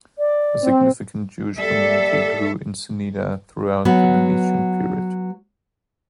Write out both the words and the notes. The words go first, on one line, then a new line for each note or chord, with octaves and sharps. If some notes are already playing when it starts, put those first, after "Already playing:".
A significant Jewish community grew in Ceneda throughout the Venetian period.
D5
C4
G3 A#3 A4 D5 E5
F#3 B3 B4